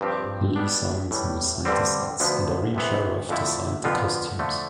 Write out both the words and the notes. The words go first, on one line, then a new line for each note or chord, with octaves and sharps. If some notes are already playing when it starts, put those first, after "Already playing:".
Lee Simonson designed the sets and Irene Sharaff designed the costumes.
G2 F3 C4 G4
B2 G3 B3 D4
A2 E3 G3
G2 D3 G3 C4
D2 D3 F3 B3
C2 C3 E3 B3
F2 D3 F3 A3 E4
F2 D3 F3 B3 F4
D3 F3 A3